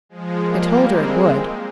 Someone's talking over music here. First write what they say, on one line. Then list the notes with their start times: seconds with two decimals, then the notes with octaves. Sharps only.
"I told her it would."
0.09 F3 G#3
0.43 G3 A#3
0.79 G#3 C4